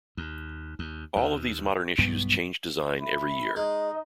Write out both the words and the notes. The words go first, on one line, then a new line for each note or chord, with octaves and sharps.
All of these modern issues changed design every year.
D#2
D#2
D#2
B1 G2 B3
E5 B5
G#3 D#4 D#5